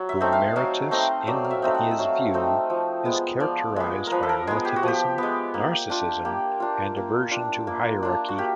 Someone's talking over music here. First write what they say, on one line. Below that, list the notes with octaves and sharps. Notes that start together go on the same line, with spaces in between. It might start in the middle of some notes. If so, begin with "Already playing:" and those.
Boomeritis, in his view, is characterized by relativism, narcissism, and aversion to hierarchy.
Already playing: F#3
E5
A3 C4 D#4
F5
F#3 F5
A3 C4 D#4 D#5
F#3 D5
F5
E5
A3 C4 D#4
F#5
E5
F#3 F5
A3 C4 D#4 D#5
F3
G#3 B3
F3 D5
G#3 B3
F3 A#4 B4
A4
A#4
G#3 B3 G#4
G4
F#4
F3 G4
G#3 B3
A#3
D4 F4
A#3 G4
D4 F4
A#3
D4 F4
A#3
D4 F4
F#4
A#3 G4